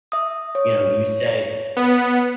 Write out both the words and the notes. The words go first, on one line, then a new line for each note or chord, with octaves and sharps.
you know, you say
E5 D#6
C#5
B3